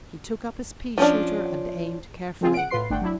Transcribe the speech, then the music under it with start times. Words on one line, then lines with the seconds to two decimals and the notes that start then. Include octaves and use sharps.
He took up his pea-shooter and aimed carefully.
0.98 F3 C#4 D4
2.41 F3 G#3 C4 F4 G#4
2.54 F#5 D7
2.70 A2 F4 B4 C6 C7
2.90 G1 A3 D4 F#5 G5
3.02 F#3 D4 E4